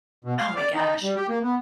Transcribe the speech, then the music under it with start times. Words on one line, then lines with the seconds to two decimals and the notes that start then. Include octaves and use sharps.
Oh my gosh.
0.25 B2
0.39 F5
0.56 D5
0.75 D#4
1.03 G3
1.16 G4
1.29 A#3
1.43 B3